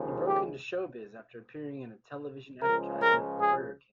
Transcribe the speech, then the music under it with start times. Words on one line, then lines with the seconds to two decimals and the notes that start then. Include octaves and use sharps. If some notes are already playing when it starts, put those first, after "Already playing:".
He broke into showbiz after appearing in a television advertisement for Burger King.
Already playing: D#2 C#3 F3 G#3
0.27 G4
2.62 C#2 C#3 F3 G#3 A#4
3.02 A#4
3.41 G#4